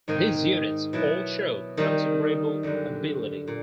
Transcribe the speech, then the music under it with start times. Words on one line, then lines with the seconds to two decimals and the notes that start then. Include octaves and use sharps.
These units all showed considerable ability.
0.08 G#2 D#3 G#3 C4 D#4
0.93 B2 F#3 B3 E4
1.77 D#3 G3 C4 D#4
2.63 F#2 D3 G3
3.48 A#2